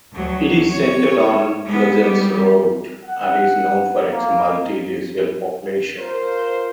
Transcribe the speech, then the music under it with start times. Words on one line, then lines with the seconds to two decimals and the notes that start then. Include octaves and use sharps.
It is centred on Lozells Road, and is known for its multi-racial population.
0.13 D2 F#3
0.70 C#5
1.65 G#3 B3
2.03 G3
3.06 F#5
4.10 A#3
6.00 F4 A#4 C5